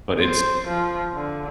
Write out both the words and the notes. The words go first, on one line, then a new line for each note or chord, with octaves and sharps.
but it's
C5
F3
D3